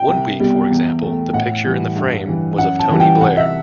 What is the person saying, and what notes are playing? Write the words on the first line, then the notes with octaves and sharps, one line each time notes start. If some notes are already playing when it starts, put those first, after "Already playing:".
One week, for example, the picture in the frame was of Tony Blair.
Already playing: G5
C2
B2 G3
E2
B2 A3
A2 F#5
E3 G3
G2
E3 G3
F#2 F#5
A5
E3 G3
G5
C2 F#5
E5